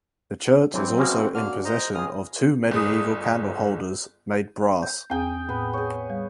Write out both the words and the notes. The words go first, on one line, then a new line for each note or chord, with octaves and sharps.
The church is also in possession of two medieval candle holders made brass.
A1 E3 F#3 C4
B2 G#3 A#3 C#4 F#4
D3 A#3 F6
C5 D#5 A#5
C#2 G#4 D#6 F6
G1 G#4 D#6
G6
E2 C4 G#4 G5 G#5
A2 B3
G#4 C#5
G3